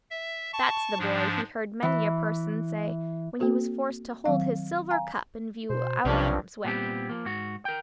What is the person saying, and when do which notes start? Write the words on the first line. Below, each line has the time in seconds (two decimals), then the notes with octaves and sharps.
"That's the boy," he heard many a person say when he was forced to hold his silver cup in view out of harm's way.
0.10 E5
0.53 A5 C#6
0.98 G#2 F3 D4
1.82 E3
3.39 A#3 C4 F#4 A4 C5
4.26 D#3 F#3 C4 F5
4.91 F5 G#5 A#5
5.70 B2 C5
6.05 B1 G2 C3 F3 C#4 D4
6.64 A#2 G3 B3 C4 G4
7.09 F3 A#3
7.25 G#2 F#4
7.65 A#4 G5